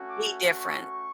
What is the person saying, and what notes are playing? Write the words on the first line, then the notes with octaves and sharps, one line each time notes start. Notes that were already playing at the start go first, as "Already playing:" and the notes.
be different
Already playing: A3 C#4 F#4
D6
C#6